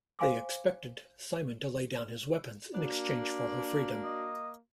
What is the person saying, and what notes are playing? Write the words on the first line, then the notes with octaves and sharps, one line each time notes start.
They expected Simon to lay down his weapons in exchange for her freedom.
C5 F5 G#5 C6 D6
A#3 D4 F#4
D#5